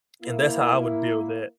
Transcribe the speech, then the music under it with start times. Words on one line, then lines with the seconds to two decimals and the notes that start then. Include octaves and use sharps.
and that's how I would deal with that.
0.23 A#3 E4